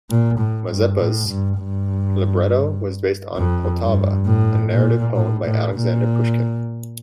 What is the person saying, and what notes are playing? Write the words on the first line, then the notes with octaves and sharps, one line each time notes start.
"Mazeppa"'s libretto was based on "Poltava", a narrative poem by Alexander Pushkin.
A#2
A2
G2
A2
G2
G2
F2
G2
A2
A#2
A2
A2
A#2